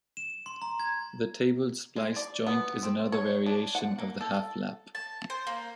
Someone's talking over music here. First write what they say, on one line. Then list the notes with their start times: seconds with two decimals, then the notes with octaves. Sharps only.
The tabled splice joint is another variation of the half lap.
0.17 E7
0.46 C6
0.62 A#5
0.80 G#6
1.96 G#3
2.16 D5
2.46 B3
2.83 C4
3.12 C#5
3.46 D4
3.75 F#5
3.99 A#3
4.21 A4
4.95 A5
5.30 C5
5.47 A#3